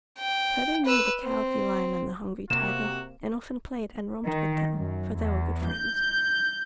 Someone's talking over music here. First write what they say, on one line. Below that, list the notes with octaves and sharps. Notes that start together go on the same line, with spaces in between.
Toto knew the Cowardly Lion and the Hungry Tiger and often played and romped with them, for they were good friends.
G5
B4 E6
C4
C3 A#3 F#4 E7
D#3
F#2
E2
G6